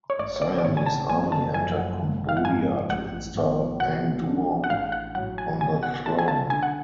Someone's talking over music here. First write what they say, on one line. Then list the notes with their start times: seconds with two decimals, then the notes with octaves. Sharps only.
Siamese army entered Cambodia to install Ang Duong on the throne.
0.10 C#5
0.19 A1 D5
0.36 C#5
0.42 D5
0.58 D5
0.64 A2 G#3 C#5
0.77 G#5
0.86 A5
1.10 F#1 G#5
1.32 A5
1.54 F#2 F3 A3 C#4 G#5
1.77 F#5
2.00 G#1
2.29 F5
2.37 F#5
2.45 G#2 F3 G#3 G#5
2.90 A1 F#5
3.35 A2 F3 B3
3.80 B2 F#5
4.25 G#3 D4 F4
4.64 F#5
4.70 A1 F5
4.92 F#5
5.15 A2 F#3 F#5
5.38 G#5
5.60 B2 G#5
5.83 F#5
6.05 A3 C#4 F4 A5
6.19 G#5
6.28 A5
6.50 D3 G#5
6.63 F#5